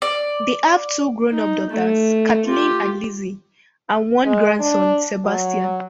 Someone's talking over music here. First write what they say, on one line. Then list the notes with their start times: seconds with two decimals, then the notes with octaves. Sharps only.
They have two grown-up daughters, Kathleen and Lizzie, and one grandson, Sebastian.
0.02 D5
1.30 D#4
1.70 A3
2.46 F4 G4
4.26 G#3
4.60 D4
5.25 F#3